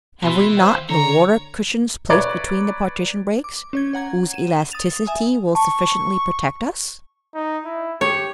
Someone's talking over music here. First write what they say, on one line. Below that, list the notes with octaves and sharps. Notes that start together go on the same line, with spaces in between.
"Have we not the water-cushions placed between the partition- breaks, whose elasticity will sufficiently protect us?"
B2 E3 B5 C6
C5 F5 G5
D3 C#5 A#5
B4 C#5 D5 A#5
D6
C#4 C#5 G#6
C#5 F#5 A#5 G#6
D#7 E7
D#6 A6 F7
E5 G#5 D#6
A5 C#6
D#4
E4
G4 C#5